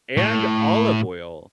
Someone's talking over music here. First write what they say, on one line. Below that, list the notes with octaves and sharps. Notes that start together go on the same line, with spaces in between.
and olive oil
A2